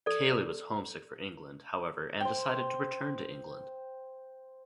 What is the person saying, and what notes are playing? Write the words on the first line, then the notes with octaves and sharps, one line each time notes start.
Caley was homesick for England, however, and decided to return to England.
A4 D5
C5 G5